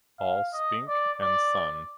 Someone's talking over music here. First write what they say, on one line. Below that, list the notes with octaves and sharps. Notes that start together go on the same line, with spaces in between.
All Spink and Son.
F5
D#5
D5
D5